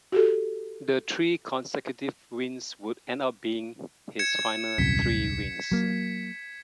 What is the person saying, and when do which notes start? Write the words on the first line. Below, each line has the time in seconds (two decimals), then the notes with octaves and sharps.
The three consecutive wins would end up being his final three wins.
0.12 F#4 G4 A4
4.19 G#6 C#7 E7
4.78 D#1 C2 F#2 B6
5.72 F#3 A#3